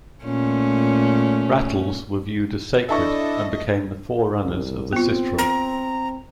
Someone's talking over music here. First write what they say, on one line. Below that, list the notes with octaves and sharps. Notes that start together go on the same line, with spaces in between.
Rattles were viewed as sacred and became the forerunners of the sistrum.
A#2 A3 C#4
D4 E4 A4 D#5 E5 A5 C#6
C2
B3 C4 F4
A#5